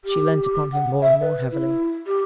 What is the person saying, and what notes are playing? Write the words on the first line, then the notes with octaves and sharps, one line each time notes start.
She leant upon him more and more heavily.
G4
F#5
E5
B4
E4
G4